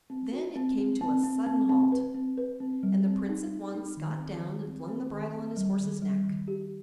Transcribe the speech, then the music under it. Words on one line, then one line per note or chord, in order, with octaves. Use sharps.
Then it came to a sudden halt, and the prince at once got down and flung the bridle on his horse's neck.
C4
F#4
C4
C4
C4
C4
C4
C4
B4
C4
B4
C4
G3
C4
D#4
D#4
D#4
D#3
C4
D#3
C4
C4
D#3
C4
G3
D#3
G3
D#3
G4